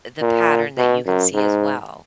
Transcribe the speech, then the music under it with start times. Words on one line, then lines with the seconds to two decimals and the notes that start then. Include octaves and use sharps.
the pattern that you can see as well,
0.21 A#2
0.77 B2
1.06 F#2
1.34 G#2